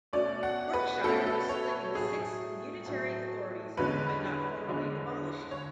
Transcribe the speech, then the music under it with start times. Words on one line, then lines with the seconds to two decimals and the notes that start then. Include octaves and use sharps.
Berkshire was split into six unitary authorities, but not formally abolished.
0.13 B2 A3 C#4 D5
0.43 F#5
0.73 B4
1.04 B2 A3 C#4 A4
1.27 A4
1.49 C#5
1.95 A2 F#3 A3 G#4
2.21 G#4
2.86 A2 F#3 A3
3.77 E2 D3 G#3 C#4 B4
4.69 E2 D3 G#3 C#4
5.51 C#5